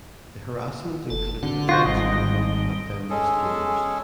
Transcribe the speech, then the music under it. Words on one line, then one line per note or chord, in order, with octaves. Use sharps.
The harassment included attacks on women and feminist gamers.
F#1 A4 A5
D3 C4 F#4
F4 F#4 A#4 C5 C#5 A#5
G#1 G3 D#5
G#3 C#4 G#4 A4